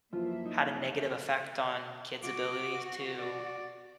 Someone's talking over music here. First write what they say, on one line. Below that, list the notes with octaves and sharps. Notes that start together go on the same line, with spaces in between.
had a negative effect on kids' ability to
F#2 E3 F3 A#3 F4 E5
D#4
F#4 D6
D5